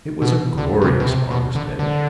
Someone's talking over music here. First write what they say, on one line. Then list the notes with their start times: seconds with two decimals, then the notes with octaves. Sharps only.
It was a glorious August day.
0.22 B2
0.58 D3
0.82 C3
1.00 B2
1.07 C3
1.31 B2
1.55 D3
1.79 D3